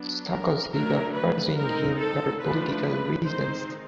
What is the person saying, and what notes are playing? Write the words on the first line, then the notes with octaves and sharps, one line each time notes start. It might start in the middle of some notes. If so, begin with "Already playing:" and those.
Sarkozy of pursuing him for political reasons.
Already playing: F#3 B3 D4
A#4
F#3 A3 D4 A#4
B4
G#3 C4 D#4 A#4
A4
F3 A3 D4 B4
D#3 G#3 C4 D#4 C5